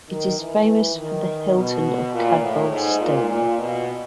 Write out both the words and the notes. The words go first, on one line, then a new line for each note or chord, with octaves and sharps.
It is famous for the Hilton of Cadboll Stone.
D#3
E3
D#3
B2
A#2
A2
G#2
A#2
A#2
B2